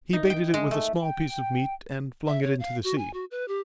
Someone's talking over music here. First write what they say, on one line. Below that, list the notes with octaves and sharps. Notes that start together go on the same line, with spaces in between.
He baited it with a small piece of meat and flung it into the sea.
D#4
G5
G#3
A3
G5
E5
C#5
F5
F#4
G#5
F#4
B4
G4